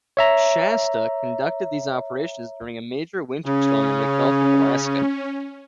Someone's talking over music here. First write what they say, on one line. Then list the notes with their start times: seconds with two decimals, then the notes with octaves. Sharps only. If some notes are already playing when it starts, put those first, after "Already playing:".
"Shasta" conducted these operations during a major winter storm in the Gulf of Alaska.
0.17 C#5 E5 A#5
3.45 C#3 C#4